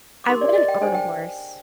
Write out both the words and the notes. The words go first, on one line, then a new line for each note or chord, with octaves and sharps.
I wouldn't own a horse,
D6
D#4 G4 A#4 C6
D5
D#5
G5
D4 G#4 C5 G#5
G5